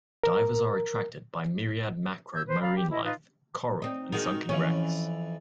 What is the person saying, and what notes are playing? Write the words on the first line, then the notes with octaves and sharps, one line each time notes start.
Divers are attracted by myriad macro marine life, coral and sunken wrecks.
A#4
E6 G6 G#6
B4 C5
D5 F5 A#5 B5
G4
E4 D#5
D#4 F4 B4
C4 D#4
D#3 G#3 D#4 F#4 F#5
F2 E3 C#4